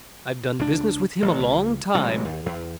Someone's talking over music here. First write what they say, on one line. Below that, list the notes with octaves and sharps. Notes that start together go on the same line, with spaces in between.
I've done business with him a long time.
C#2 D4
A1
C#2
A1 C3 F#3 G#3
D#2
E2